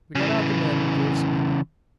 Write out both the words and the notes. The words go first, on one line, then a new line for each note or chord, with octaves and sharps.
We got out the men and gave some help.
C#3 E3